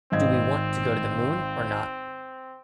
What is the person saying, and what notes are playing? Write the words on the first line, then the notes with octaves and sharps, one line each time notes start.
Do we want to go to the Moon or not?
G#1 C4 D#5 G#6